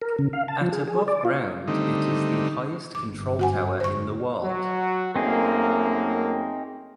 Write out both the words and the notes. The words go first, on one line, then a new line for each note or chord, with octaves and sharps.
At above ground it is the highest control tower in the world.
A#4
C#3
F5
A5
F3
G#4
G#4
D5
F4
D3 D#3 G3 A3 C4 D#4
G1 F#2 D6
F#4 F#5 G#5
C5 C#6
F#3 F#4
F#2 A3 A#3 C4 D#4 G#4